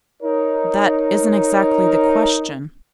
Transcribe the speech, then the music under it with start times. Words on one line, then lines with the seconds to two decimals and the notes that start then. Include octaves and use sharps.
'That isn't exactly the question.
0.23 D#4 A#4 C#5